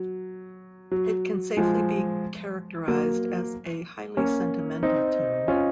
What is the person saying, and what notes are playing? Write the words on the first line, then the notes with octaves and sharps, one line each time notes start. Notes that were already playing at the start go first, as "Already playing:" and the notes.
It can safely be characterized as a highly sentimental tune.
Already playing: F#3
F#3
F3 G#3
F#3 A#3
A#3 C#4
C4 D#4
C#4 F4